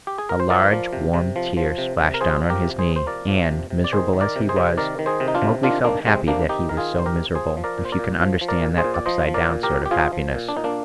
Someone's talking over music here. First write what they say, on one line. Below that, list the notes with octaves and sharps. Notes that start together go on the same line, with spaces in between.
A large, warm tear splashed down on his knee, and, miserable as he was, Mowgli felt happy that he was so miserable, if you can understand that upside-down sort of happiness.
G4
G#4
A#4
C5
F3 A#4 D5
F3
C3
C3
F3
F3
C3
C3
A#4
F3 G#4 C5
F3
G4 A#4
C3
G#4 C5
C3
C5
F3 A#4 D5
F3
C3
C3
D5
D#3 G#4 C5
D#3
A#4 D5
C3
G#4 C5
C3
D#3 A#4 D5
D#3
G#4 C5
C3
D#4
D4 F4
C3
D#3 D4 F4
D#3 A#3 D4
C3 G#3 C4
C3 A#3 D4
D#3 D#4 G4
D#3 A#4
F4 G#4
C3
C5
G4 A#4
C3
F3 G#4 C5
F3
A#4 D5
A#2
C5
A#4 D5
A#2
F3
F3
A#4 D5
A#2
G#4 C5
A#2
D5
F3 C5 D#5
F3
A#4 D5
A#2
G4 A#4
A#2
G4
F3 F4 G#4
F3
A#2
D4
A#2 D#4
A#3 D4